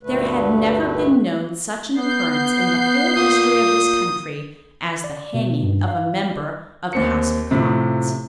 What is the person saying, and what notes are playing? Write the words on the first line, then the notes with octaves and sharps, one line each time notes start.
There had never been known such an occurrence in the whole history of this country as the hanging of a member of the House of Commons.
D2 G2 A#2 D3 A3 B4
B3 G6 C7
A#2 D#6
D5
B2
G2
F5
D#2 C4 C#7
A2 C3 F3